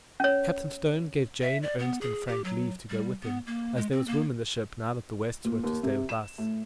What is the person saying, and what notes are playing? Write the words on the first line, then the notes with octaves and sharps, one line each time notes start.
Captain Stone gave Jane, Ernest, and Frank leave to go with him, as there was room in the ship now that the Wests were to stay with us.
C#4 C#5
E5
D5
B3
G#4
G4
F#3
G3
B3
A#3
G#3
C4
A#3
A#2
D#2
C3
E7
A2